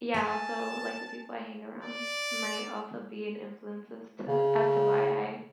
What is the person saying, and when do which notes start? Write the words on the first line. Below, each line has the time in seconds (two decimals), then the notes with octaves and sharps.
yeah, also like the people I hang around might also be an influence as to as to why I
0.14 G#5 A5
1.82 D5
4.28 C#3